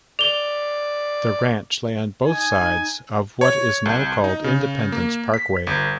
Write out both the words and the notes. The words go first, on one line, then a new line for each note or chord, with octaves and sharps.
The ranch lay on both sides of what is now called Independence Parkway.
D5 F7 G7
D#4 G#5
C#5
C2
D#4
C#3
A#3
B6
G1